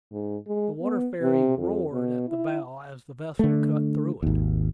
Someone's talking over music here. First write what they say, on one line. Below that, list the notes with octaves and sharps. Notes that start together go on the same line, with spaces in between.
The water fairly roared at the bow as the vessel cut through it.
G#2
G#3
B3
C3
F2
B2
E4
D3 A3
G#1 D#2